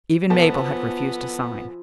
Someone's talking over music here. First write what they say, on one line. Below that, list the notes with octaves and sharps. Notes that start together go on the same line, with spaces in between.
Even Mabel had refused to sign.
B1 F3 B3 E4 A4 A5